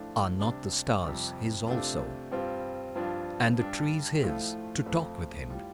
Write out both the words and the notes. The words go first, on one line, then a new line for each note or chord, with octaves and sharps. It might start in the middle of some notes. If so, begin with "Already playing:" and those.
Are not the stars his also, and the trees his, to talk with him?
Already playing: A2 F3 A3 D4 F4
C3 G3 D4
F2 C3 G3
C3 A3 D4 F4
G2 G3 C4 F4
G2 F3 D4 F4
G2 G3 D4
A2 F3 A3 F4
F2 F3 A3 F4
A2 G3 F4